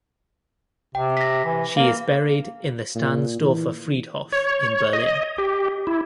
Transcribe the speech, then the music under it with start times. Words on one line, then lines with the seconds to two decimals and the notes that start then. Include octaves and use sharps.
She is buried in the Stahnsdorfer Friedhof in Berlin.
0.95 C3 G5
1.17 A#6 B6
1.45 E3
1.77 A#3 F5
2.95 A#2
3.40 E3
4.32 C#5
4.93 D#5
5.38 G4
5.87 E4